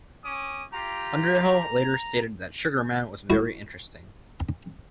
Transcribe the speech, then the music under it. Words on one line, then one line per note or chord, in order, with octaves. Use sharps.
Underhill later stated that Sugerman was very interesting.
C#4 D6 D#6
F4 G4 A#5
E4 F#4